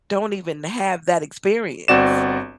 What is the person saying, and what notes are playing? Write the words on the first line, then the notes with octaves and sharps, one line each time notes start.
don't even have that experience.
G1 C4 F#4 D5 E7